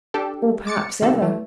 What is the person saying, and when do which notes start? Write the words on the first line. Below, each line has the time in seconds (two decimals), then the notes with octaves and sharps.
"Or perhaps ever."
0.14 D4 G4 A4
0.67 D6 A6 C#7
1.02 C3 D#3 G3 A4
1.22 E3 A3